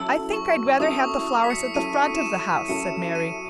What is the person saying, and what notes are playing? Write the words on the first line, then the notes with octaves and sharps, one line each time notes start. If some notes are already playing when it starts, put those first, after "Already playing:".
"I think I 'd rather have the flowers at the front of the house," said Mary.
Already playing: F#3 C#4 E4 A4 E6
C#6
F#3 C#4 E4 A4 D#6
C#6
D#6
B6
C#7
F#3 C#4 E4 A4 D#7
E7
D#7
F#3 C#4 E4 A4 C#7
D#7